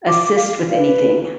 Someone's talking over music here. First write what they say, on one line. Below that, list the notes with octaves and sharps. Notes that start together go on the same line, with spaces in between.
assist with anything?
D6
F5
B4